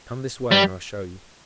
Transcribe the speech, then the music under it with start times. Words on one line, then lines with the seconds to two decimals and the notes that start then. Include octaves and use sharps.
Come this way and I'll show you.
0.52 G3